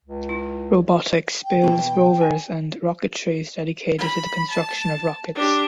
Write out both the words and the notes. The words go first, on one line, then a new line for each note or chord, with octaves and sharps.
Robotics builds rovers and Rocketry is dedicated to the construction of rockets.
C#2
E4
G5
B2 E3
G#5
B5
A5
D4 G4